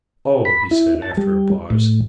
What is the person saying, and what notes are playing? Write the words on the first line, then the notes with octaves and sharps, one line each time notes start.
"Oh!" he said after a pause.
B5
E4
A5
G3
A2